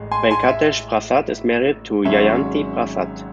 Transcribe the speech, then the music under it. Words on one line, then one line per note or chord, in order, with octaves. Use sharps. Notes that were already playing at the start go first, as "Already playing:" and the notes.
Venkatesh Prasad is married to Jayanthi Prasad.
Already playing: A1 A2 G#3
G#5 C6
G#5 C6
E5
G#1 G#2 F#3 C#4 E5